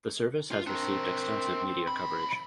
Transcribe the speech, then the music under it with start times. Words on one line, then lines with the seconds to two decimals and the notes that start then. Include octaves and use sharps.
The service has received extensive media coverage.
0.52 F4
0.67 C4 D4 A#4
1.87 B1 B5